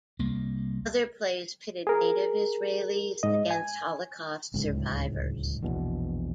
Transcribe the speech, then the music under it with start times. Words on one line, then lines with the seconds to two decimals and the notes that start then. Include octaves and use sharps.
Other plays pitted native Israelis against Holocaust survivors.
0.19 C2 A#3
1.87 G#4 A#4
3.23 G#2 D#5
3.51 G#5
4.54 D1 C#2 G#2
5.63 A#1 E2 B2